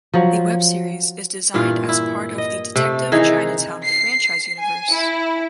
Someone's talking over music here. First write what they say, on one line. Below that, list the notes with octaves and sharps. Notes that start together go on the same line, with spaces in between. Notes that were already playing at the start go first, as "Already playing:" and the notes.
The web series is designed as part of the "Detective Chinatown" franchise universe.
F3 F#3
G2 A#2 E3 F4
E4
D#5
C3 A3
D#3 E3 D#4 G#4
C7
G#5
E4